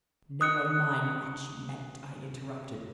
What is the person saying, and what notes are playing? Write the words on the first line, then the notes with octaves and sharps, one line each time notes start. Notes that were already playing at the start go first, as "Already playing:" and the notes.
"Never mind what you meant!" I interrupted.
D#6 F#6 C#7